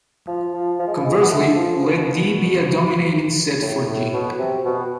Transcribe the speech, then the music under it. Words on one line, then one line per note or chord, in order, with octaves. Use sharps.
Conversely, let "D" be a dominating set for "G".
F3
F3
F3
G#3
F3
G#3
B3
A3
F3
B2
A2
A2
B2
C3
B2